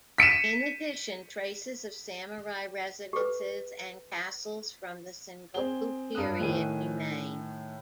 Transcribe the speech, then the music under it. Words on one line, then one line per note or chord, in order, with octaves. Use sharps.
In addition, traces of samurai residences and castles from the Sengoku period remain.
B6 C#7 D#7 E7
G4 A4 B4
C4 G#4 G7
G2 A#4 D#6 F#6
A2 D#3 G#4 D#7